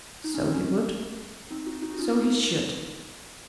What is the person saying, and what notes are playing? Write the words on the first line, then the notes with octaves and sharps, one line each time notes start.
'So he would; so he should!
D#4
C#4
C4
C#4
C4 D#4
D#4 F#4
D#4 F#4
F#4
C#4 F4
C4 D#4